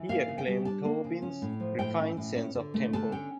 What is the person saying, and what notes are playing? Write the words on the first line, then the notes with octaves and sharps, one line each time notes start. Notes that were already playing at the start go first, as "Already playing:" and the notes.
He acclaimed Tobin's "refined sense of tempo".
Already playing: E3
A#3 F5
C#3
G5
G3
D4 A5
A#3
C#3
C#4
A2
F3
A2 G5
C#4
A2
C#4
D3
A3
D3 A5
C#4 G5